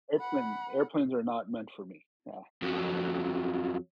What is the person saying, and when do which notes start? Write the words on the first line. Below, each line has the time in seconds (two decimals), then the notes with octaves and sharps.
airplane airplanes are not meant for me, yeah.
0.19 F#5 B5
2.62 F2 F#3